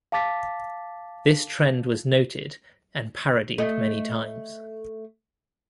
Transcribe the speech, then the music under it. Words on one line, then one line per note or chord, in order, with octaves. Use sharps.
This trend was noted and parodied many times.
F5 A5 D6 A6 B6
A3 D#5